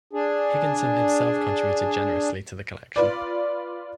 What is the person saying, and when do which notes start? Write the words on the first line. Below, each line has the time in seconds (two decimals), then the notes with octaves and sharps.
Higginson himself contributed generously to the collection.
0.13 D4 G#4
2.96 F4 B4 D5